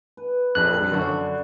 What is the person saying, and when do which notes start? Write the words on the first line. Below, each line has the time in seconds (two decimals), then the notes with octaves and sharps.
Oh, yeah.
0.17 B4
0.55 A#1 F2 F#6
0.92 F#2 D3 D5 C#6